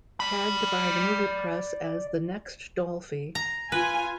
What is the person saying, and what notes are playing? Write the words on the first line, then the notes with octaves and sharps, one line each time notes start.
Tagged by the movie press as the Next Dolphy.
D5 B5
A#5
F4 B4 G#5